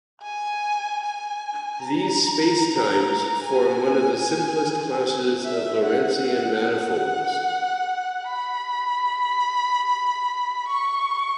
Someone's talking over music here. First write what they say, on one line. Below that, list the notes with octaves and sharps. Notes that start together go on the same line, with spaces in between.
These spacetimes form one of the simplest classes of Lorentzian manifolds.
G#5
G#5
A#5
G#5
E5
F#5
B5
C#6